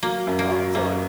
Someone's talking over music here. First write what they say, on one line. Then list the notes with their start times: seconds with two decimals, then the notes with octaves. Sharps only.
I'm sorry
0.03 F#3 A#3
0.27 F#2
0.39 A#3
0.50 F#3
0.75 F#2 A#3